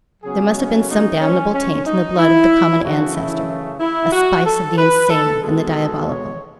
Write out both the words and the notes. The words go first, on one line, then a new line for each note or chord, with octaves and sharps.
There must have been some damnable taint in the blood of the common ancestor--a spice of the insane and the diabolical.
C#3 F#3 B3 G#4
C#4
D#4
C#4
C#4
D#4
E4
F#2 C#3 E3 A3 F#4
E4
E4
F#4
A4
B4
A4
B2 G#3 B3 A4
C#5